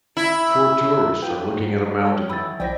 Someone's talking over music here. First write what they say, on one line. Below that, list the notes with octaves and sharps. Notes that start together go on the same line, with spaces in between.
Four tourists are looking at a mountain.
E4
D#4 F4 B4 G5
G#2 F#3
D4 G4 A4 C#5
D#3 E3 B5 E6 A6
A#1 F3 E4 D5 D#5 G5 A#6